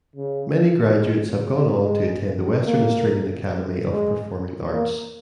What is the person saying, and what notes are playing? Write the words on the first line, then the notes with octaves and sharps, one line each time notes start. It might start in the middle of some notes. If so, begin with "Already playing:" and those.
Many graduates have gone on to attend the Western Australian Academy of Performing Arts.
C#3
G#3
C#3
G#3
A#3
G#3
A#3